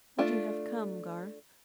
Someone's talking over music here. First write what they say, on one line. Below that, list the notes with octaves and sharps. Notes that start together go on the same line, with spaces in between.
Would you have come, Garth?
A3 D4 F4